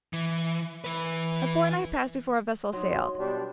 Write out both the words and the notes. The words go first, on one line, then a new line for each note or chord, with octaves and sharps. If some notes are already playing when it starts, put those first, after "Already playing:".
A fortnight passed before a vessel sailed.
E3
E3 B4
F#3 D#4 C6
B2 G3 D4 G4